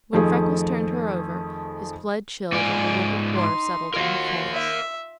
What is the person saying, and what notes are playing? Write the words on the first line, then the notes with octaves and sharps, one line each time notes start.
When Freckles turned her over, his blood chilled at the look of horror settled on her face.
F2 D#3 F3 A3 G#4
G#2 F4 D5 G#5
D#4 C6
F4 F#4 A#4 D#5 F5
E5